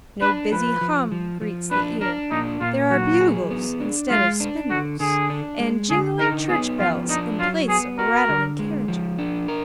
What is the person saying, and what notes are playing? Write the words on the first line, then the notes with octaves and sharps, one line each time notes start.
No busy hum greets the ear; there are bugles instead of spindles, and jingling church bells in place of rattling carriages.
D4 B4
F3 B4
F3
F3
F3
D4 B4
D4 A#4
A#2 D#4
A#2 F4
F#3 F#4
G#4
B3
D4
G#3 F4
D4
D3 F#4
D3 G#4
D4
G#3
D3 G#4
D#4 A#4
B3 G#4
F3 F4
D4 D#4
F#3 F4
B3 G#4
F#4 A#4
D3
G#3
F3
D4
A#4